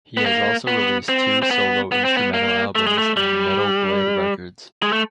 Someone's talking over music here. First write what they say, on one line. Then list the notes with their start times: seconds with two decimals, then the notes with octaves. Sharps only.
He has also released two solo instrumental albums on Metal Blade Records.
0.17 B3
0.26 A#3
0.67 B3
1.09 C4
1.43 C4
1.51 B3
1.92 B3
2.05 C4
2.17 B3
2.34 A#3
2.75 A3
2.87 G#3
2.98 A3
3.17 G3
4.83 G#3
4.93 A3